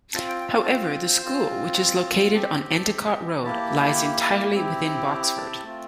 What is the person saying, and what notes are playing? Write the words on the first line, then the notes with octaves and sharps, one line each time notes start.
However, the school, which is located on Endicott Road, lies entirely within Boxford.
C4 F4 A5
G5
G5
A5
G5
G5
C5
C4 F4
C4 G4 A5
A#5
A5
A#3 E4 G4 A5
C4 E4 G4
A5
A3 C4 F4